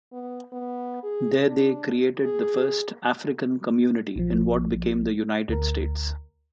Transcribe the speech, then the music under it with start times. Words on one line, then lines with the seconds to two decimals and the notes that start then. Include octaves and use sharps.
There they created the first African community in what became the United States.
0.12 B3
0.52 B3
1.03 G#4
1.48 D4
2.24 G#4
4.16 A#1 F3
5.49 D2 A#4